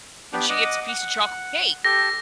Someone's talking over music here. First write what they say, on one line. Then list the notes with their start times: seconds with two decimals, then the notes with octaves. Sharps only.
and she gets a piece of chocolate cake.
0.33 B3 D4 G4
0.50 D#5 F#5 D6
0.89 F#5
1.85 G4 A4 A#6